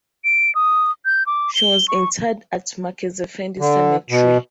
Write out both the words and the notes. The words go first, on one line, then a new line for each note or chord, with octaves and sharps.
She was interred at Merkezefendi Cemetery.
D7
D#6
G6
D6
G7
C#6
D3
B2